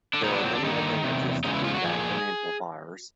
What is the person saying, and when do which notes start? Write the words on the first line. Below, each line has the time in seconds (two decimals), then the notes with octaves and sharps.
There are many advantages to feedback in amplifiers.
0.13 D3 D4
0.24 A#2 D#3 F#3 B3 D#4
0.34 D3 D4
0.44 C4
0.54 D3 D4
0.64 G2 D3 D#3 A#3 D#4
1.04 E2 C3 D#3
1.44 E2 C#3 G#3 D#4
1.54 E3 E4
1.64 F3 F4
1.74 F#3 F#4
1.84 A#2 F3 G#4